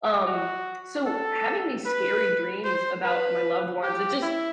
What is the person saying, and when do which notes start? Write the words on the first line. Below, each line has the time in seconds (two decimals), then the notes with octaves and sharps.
Um, so, having these scary dreams about my loved ones, it just
0.27 F#4
1.06 A4
1.86 B4
2.64 C5
3.04 B4
3.83 G4
4.22 E4